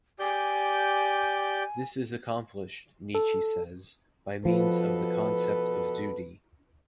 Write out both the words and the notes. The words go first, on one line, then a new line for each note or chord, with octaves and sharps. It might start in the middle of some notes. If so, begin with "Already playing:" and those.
This is accomplished, Nietzsche says, by means of the concept of duty.
G4 D5 G#5 G6
A4
B2 F3 A4 B4